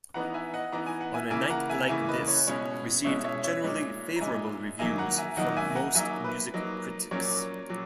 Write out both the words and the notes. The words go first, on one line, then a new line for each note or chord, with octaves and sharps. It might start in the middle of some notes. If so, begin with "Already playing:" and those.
"On a Night Like This" received generally favourable reviews from most music critics.
E3 B3 D#4 F#5 A#5
E5 G#5
D#5 F#5
E3 B3 D#4 A#5
G#5
F#5
E5 G#5
C#3 E3 A#3 E4 E5 G#5
F#5 A#5
E5 G#5
C#3 E3 A#3 E4 E5 G#5
B4 D#5
C#5
B2 G#3 C#4 E4 C#5
B2 G#3 C#4 E4 C#5 E5
C#5 E5
C#5 E5
A#2 G#3 D#4
A#5
A#2 G#3 D#4 E5 G#5
D#3 F#3 A#3 D#4 E5 G#5
F#5 A#5
E5 G#5
D#3 F#3 A#3 D#4 D#5 F#5
E5 G#5
F#5 A#5
F#3 A#3 D#4 E5 G#5
B4
F#3 A#3 D#4
A#2 F#3 A#3 C#4 C#5
A#2 F#3